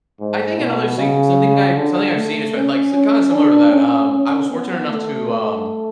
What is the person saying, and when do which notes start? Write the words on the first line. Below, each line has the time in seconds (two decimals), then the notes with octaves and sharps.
I think another see something I've something I've seen is, pr like, s kinda similar to that. Um, I was fortunate enough to, um,
0.20 G#2
0.59 B2
0.98 C#3
1.77 D3
2.15 A3
2.54 C#4
2.94 C#4
3.33 D4
3.72 C#4
4.10 C#4
4.50 B3
4.89 A3